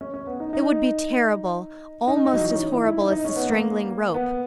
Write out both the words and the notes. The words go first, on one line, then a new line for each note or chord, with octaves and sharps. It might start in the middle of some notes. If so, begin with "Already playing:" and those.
It would be terrible--almost as horrible as the strangling rope.
C#4
C#4
B3
D#4
D#4
D#4
D#4
F#3
E3
C#4
D#4
E4
E4
D#4
D#4
C#4
B3
A#3
B3